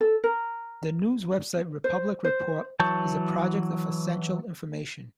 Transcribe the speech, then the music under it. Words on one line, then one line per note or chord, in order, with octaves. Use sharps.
The news website Republic Report is a project of Essential Information.
A4
A#4
C5
C5
E3 F#3 A5 C#6 G6